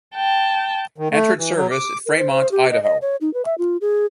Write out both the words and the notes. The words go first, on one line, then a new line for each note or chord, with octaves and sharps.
Entered service at: Fremont, Ohio.
G5 A5
D#3
A3
E3
F#3
D6
A#4
C5
C5
G4
D#5
D#5
C#5
D#4
B4
E5
F4
G#4